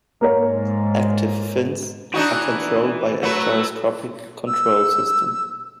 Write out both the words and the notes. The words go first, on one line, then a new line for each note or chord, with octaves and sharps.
"Active fins" are controlled by a gyroscopic control system.
G#2 A#3 A#4 C#5
E3 D4 D#4 F#4
F#3 A3 B4
E6